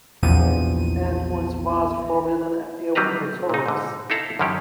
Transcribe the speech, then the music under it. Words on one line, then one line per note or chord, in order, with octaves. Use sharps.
Entrance was forbidden even to servants.
A#1 E2 C3 F3 D#7
F#3 G3 C4 B4 A#5
A#2 D#4
G#2 D3
D#4 E4 A4 F5 A#5
F#2 D3 D#3 C#4 G4